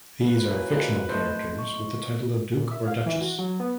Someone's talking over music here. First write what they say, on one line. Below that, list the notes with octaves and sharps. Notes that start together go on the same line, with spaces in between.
These are fictional characters with the title of "duke" or "duchess".
B4
A#2 E3 A#3 E4 F#4 C#5
G3 G#3 A#3 F4 F#4
B1 A2 A3 C5 D#5 C6
C#6
A#2
E5
F5
E3
F#4
F#3
B3